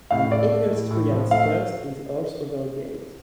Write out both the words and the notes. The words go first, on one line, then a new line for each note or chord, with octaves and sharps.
An equestrian steers his horse over a gate.
A2 F5
A3 D5
A3
A2
A2
F3
A3 F5